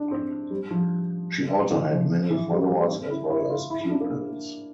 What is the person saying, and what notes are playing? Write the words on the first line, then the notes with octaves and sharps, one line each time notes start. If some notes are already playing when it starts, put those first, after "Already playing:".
She also had many followers as well as pupils.
Already playing: D4
C4
G3
F3
E3
F3
F3
E3
G3
A#3
C4
E4
E4
F4
E4
E4
D4
A#3